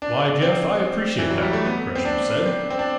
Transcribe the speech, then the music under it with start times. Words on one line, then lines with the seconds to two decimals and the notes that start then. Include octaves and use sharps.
"Why, Jeff, I appreciate that," Gresham said.
0.02 D4
0.42 C4
1.19 E3
1.30 F#3
1.42 G3
1.53 A3
1.65 B3
1.95 C4
2.05 D4
2.46 C4
2.70 C4
2.79 D4